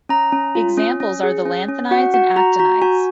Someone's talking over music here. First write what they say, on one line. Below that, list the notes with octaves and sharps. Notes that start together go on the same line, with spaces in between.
Examples are the lanthanides and actinides.
C#4 A#5
C#4
F4
C#4
C#4
G#4
C#4
C#4
F#4 F#5
F#4 F#5
F#4 A#5
F#4 A#5
F#4 G#5